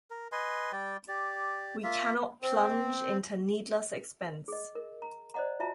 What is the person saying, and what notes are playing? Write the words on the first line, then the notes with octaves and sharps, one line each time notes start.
We cannot plunge into needless expense.
A#4
B4 D#5 G#5 C6
G3 D5 G5
G4 D5
A#3 F4 E5
C4
G#4 D#5
A#4
A#5
C5 D5 D#5 F#5 A#5
F4 F#4 E5 A5 A#5